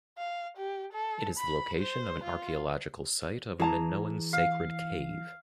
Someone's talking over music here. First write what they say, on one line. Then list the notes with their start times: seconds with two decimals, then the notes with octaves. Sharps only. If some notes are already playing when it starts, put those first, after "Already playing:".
It is the location of an archaeological site of a Minoan sacred cave.
0.18 F5
0.58 G4
0.93 A4
1.38 B5
1.79 C5
2.24 F4
3.60 E3 G#4 A5 A#5
4.33 F5